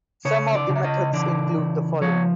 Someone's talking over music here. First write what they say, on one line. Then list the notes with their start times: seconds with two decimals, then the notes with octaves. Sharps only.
Some of the methods include the following.
0.25 C#3 C#5
0.55 D5
0.69 C#3
0.76 E5
0.84 D#5
1.13 E3 D5
1.58 C#3
2.01 F3 C#5